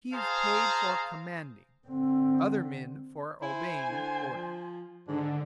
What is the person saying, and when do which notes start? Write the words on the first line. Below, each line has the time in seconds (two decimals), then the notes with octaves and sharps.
He is paid for commanding, other men for obeying orders.
0.13 G#4 C5 F5 A5 A#5
1.87 D3 C4
3.42 E4 C5 G#5
3.90 D3
4.33 F3
5.08 G#2 D3 D4